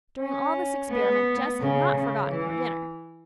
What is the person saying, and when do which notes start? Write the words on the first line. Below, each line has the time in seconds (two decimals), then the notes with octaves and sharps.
During all this experiment Jess had not forgotten her dinner.
0.20 C#4
0.91 B3
1.60 C#3
1.96 C#3
2.31 E3